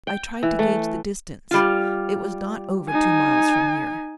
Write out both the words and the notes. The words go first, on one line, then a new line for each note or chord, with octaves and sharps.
I tried to gauge the distance; it was not over two miles from here.
G5
E3
A3
G3 F4
D#4 G#5